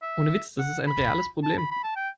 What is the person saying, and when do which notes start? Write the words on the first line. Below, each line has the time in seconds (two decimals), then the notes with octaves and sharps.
Ohne Witz, das ist ein reales Problem.
0.02 E5
0.59 F#5
0.87 B5
1.43 A5
1.58 B5
1.71 B5
1.84 A5
1.96 G5